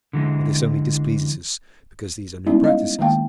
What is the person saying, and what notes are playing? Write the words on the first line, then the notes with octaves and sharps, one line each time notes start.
But this only displeases us because these are new practices.
D3 E3 G#3
G3 G#3 B3 C#4 D#4 E4
D#5 F5
D#3 G#3 A#3 F5 G5 A5